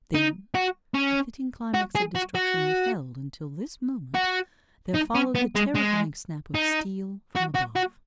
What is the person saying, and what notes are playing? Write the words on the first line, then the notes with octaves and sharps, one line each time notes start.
Then--a fitting climax of destruction, withheld until this moment--there followed the terrifying snap of steel from above.
D#4
F#4
C#4
F#4
G#4
F#4
F#4
F#4
D#4
C#4
B3
G#3
G#3
D#4
F#4
F#4
F#4